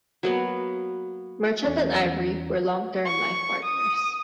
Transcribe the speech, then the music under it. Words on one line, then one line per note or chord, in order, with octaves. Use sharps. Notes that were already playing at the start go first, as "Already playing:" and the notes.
Merchant and Ivory were long-term life partners.
F#3 A#3 B3
E2 C#4
C#6
D#6